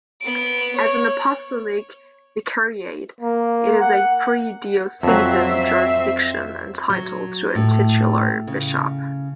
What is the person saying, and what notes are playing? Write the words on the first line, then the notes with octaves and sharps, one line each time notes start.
As an apostolic vicariate, it is a pre-diocesan jurisdiction, entitled to a titular bishop.
B3 D7
C#5
A#3
F#5
F2 F#3 C4 E5
F#3
A2
C#3